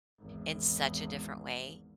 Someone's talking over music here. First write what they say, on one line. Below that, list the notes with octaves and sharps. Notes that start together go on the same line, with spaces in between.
in such a different way.
G#1 E2